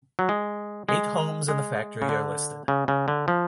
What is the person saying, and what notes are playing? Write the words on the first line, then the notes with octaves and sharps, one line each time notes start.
Eight homes and the factory are listed.
F#3
G#3
G#3
G#3
C#3
D3
C#3
C#3
D3
F3